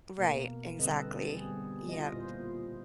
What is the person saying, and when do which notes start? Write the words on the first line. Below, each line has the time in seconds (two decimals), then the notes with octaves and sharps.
Right, exactly, yep,
0.18 B2 A#3
0.79 D3 G3 C4 A4 B4 D#5
1.33 G3 B3 G#4
1.88 E4 F4 D#5
2.14 A#2 C5